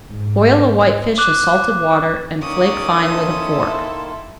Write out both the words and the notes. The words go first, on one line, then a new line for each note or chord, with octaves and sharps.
Boil a whitefish in salted water and flake fine with a fork.
G#2
D6 F#6
D#3 A#3 C#4 A#4 D5 C#6 D#6
E4 A4 E5 C6